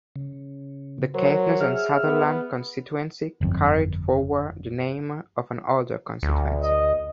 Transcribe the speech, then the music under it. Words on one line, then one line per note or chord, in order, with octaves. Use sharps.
The Caithness and Sutherland constituency carried forward the name of an older constituency.
C#3
F#3 A#4 C5 C#5
G#4 E5 F6
B3
G1 F2
D2
D#5